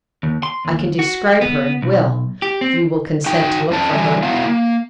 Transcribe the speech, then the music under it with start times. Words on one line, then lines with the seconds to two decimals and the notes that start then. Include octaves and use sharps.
I can describe her, and will, if you will consent to look for her.
0.23 D#2
0.43 C6
0.65 D#2
0.99 F#4
1.41 B3
1.82 B1
2.42 G4
2.61 C4
3.26 D#4 F#4 G5
3.71 F2 C#4 A5
3.93 D3 E3 F#3 G3 E5 G#5
4.23 F#3 B3 E4 F5
4.45 A#3